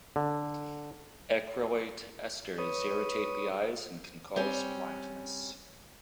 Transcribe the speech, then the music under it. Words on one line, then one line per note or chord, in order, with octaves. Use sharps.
Acrylate esters irritate the eyes and can cause blindness.
D3
B4 C#5 D#6
G3 C4 C#4